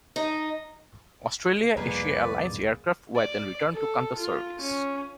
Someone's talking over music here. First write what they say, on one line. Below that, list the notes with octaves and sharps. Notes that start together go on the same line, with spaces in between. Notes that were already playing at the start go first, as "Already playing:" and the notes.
Australia Asia Airline's aircraft were then returned to Qantas service.
D#4
C2 F2 A#3 B3 G#4 B4 D5
D5
A4
F4
C#4